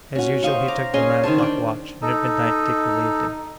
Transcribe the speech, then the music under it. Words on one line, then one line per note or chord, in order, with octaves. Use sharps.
As usual, he took the nine-o'clock watch, and at midnight Dick relieved him.
C#4 F#4
C5 D#5 F5 C#6
A#5 D6
C#4 G#4 D#5 C6
D#3 C#4 C5 A5
D4 G5
D#4 A4